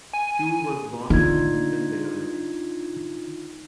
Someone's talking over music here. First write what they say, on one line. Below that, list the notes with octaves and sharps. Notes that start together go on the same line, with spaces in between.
Shue was born in Wilmington, Delaware.
G#5
D3 D#4 F4 G#6